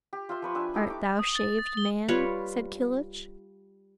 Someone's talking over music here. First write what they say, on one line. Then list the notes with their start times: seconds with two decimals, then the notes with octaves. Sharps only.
"Art thou shaved man?" said Kilhuch.
0.13 G4
0.29 F4 E5 C6
0.42 F3 B4 C#6
0.55 D4 E5 G#5
0.74 D#4 E4 G4 A4
0.88 A3 D6
1.19 D#6
1.35 A6
1.59 A6
1.77 G7
2.08 G3 F4 B4 C#5